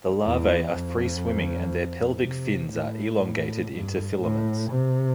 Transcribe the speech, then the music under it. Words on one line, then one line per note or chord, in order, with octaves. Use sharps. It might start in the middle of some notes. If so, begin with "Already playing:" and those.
The larvae are free-swimming and their pelvic fins are elongated into filaments.
E2
F2
C3
A2
A2
G2
A2
C3